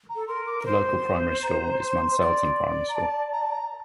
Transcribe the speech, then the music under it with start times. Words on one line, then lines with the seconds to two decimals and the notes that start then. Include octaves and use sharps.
The local primary school is Manselton Primary school.
0.09 A#5
0.16 A4
0.28 A#4 C6
0.47 D6
0.59 A#4
0.66 C5 C6
1.43 A#5
1.81 C6
2.10 C5
2.18 D5
2.89 A#5
2.95 A5
3.33 A#5
3.42 A5
3.51 A#5